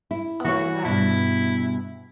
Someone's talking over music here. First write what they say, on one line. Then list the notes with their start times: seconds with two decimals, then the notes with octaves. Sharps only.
Oh my god,
0.11 E4
0.45 E3 E4 F#4 C#5
0.85 G2 B2 E4